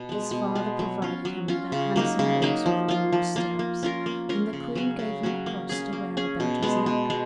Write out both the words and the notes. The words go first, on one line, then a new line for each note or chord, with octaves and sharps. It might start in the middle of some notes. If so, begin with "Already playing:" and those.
His father provided him with a handsome horse with golden stirrups, and the Queen gave him a cross to wear about his neck.
Already playing: B2
G#3 B3
B2
G#3 B3
F#3
C#4 F4
F#3
C#4 F4
C#3
F#3 A#3 D#4
C#3
F#3 A#3 D#4
F3
A#3 F4
F3
A#3 F4
A#3
C#4 F4 A#4
A#3
C#4 F4 A#4
C#3
F#3 C#4 F#4
C#3
F#3 C#4 F#4
A#3
C#4 G#4
A#3
C#4 G#4
B2
G#3 B3
B2
G#3